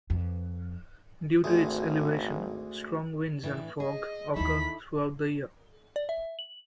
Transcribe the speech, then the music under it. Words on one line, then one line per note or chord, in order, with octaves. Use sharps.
Due to its elevation, strong winds and fog occur throughout the year.
F2
G#1 D2 G#3
A2 E3 D4
G#4 D#5
D#2 E3 D#4 E4 A4 B5 B6
D5
E5
F#7